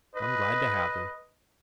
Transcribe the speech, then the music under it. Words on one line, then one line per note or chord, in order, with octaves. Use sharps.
I'm glad to have them.
B4 D#5